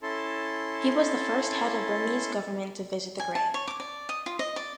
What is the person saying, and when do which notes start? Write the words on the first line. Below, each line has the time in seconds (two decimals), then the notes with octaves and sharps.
He was the first head of Burmese government to visit the grave.
0.03 C#4 E4 A4 A5 C6
3.20 G#5
3.35 A5
3.54 C#5
3.68 D6
3.80 D5
4.09 D#5
4.26 F4
4.39 D#5
4.56 D5